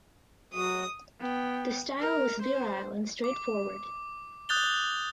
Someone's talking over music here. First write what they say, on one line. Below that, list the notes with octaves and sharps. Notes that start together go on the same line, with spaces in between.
The style was virile and straightforward.
F#3 F#4 D#6
B3 G5
A#4
C5
D6
D#6 F#6 G6 A6 F7 G7